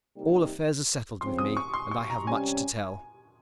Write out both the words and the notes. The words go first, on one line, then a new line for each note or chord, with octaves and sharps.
All affairs are settled with me, and I have much to tell.
C3 G3 A#3 D#4
C#3 F3 C4 C6
D#6
C#6
C6
C#6
A#5
C3 G3 C#4 G#5